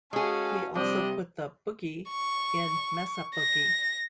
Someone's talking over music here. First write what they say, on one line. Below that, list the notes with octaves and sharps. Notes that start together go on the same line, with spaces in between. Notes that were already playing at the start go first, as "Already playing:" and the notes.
He also put the "Boogie" in Mesa Boogie.
G#3 C#4 F#4 G#4 A4 F5
C3 F3 G3 D4 D#5
C#6
A#6